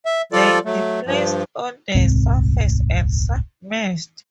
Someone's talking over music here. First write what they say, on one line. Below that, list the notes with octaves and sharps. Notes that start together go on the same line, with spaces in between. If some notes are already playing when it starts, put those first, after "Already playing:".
They displaced on the surface and submerged.
E5
F3 G3 F4 A4 D5
F#3 A3
G2 F3
D#1 C2 G#2 C4